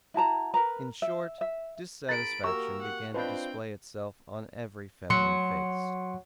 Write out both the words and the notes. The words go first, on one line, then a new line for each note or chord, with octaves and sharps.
In short, dissatisfaction began to display itself on every feminine face.
E4 F#4 A5 A#5
A#4 B4 A#5
E5
E5
G#4 A#4 A#5 B5 A6 D7
A#3 F#4 G4 A#4 A#5 C#6 E6
F#5
C4 D4 F4 B4 C5 D#5 G5 A5
F#3 C6 C#7